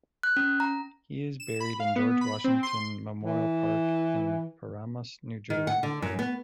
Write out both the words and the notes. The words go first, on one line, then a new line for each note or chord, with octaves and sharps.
He is buried in George Washington Memorial Park in Paramus, New Jersey.
F#6
C#4
A#5
E7
B5
F5
B3
B5
C4
C6
E3
D#3
F#5
D3
F#2
B3